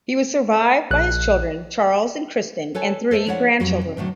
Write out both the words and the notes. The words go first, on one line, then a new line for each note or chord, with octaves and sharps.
He was survived by his children, Charles and Kristin, and three grandchildren.
A#1 F#6
A4 B4 C#5 G#5
A4 C5 D5 E5
F3 D4 E4 C#5 D5 F#5
F2 F#3 G3 B4
C3
A2 D3 D#3 F#3